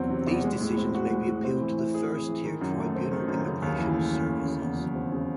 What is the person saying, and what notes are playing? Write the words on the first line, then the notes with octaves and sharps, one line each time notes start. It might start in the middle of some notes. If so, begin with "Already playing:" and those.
These decisions may be appealed to the First-tier Tribunal Immigration Services.
Already playing: E2 C3 F#3 C4
C3
E2
G#3
A2
C4
F#4
G#3
A2
C4
E3
E4
G#4
C4
E3
D#3
F#2
A3
C4
D#3
F#2
C#3
D#2
E3
A3
C#3
D#2
C#3
E2
F#3
C4
C#3